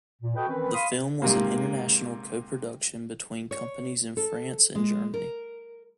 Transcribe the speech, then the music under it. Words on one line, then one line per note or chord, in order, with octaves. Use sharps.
The film was an international co-production between companies in France and Germany.
A#2
F#4 A4 B4 D#5 G5
D#3 E3 C4 C#4 B4
F5 B5 C6 D#6
G#2 C3 A#3
C#5
A4
G#3
A#4